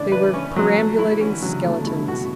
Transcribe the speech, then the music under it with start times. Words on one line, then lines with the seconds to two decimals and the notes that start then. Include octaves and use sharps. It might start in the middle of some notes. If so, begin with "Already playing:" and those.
They were perambulating skeletons.
Already playing: A2 C#3 E3 D4
0.12 B4
0.34 C#4
0.56 F#3
0.78 A3
0.99 E4
1.15 E3
1.21 D3 C#4
1.42 C#3 F#3
1.64 B2 A3
1.86 G2 E4
2.08 B2 F#4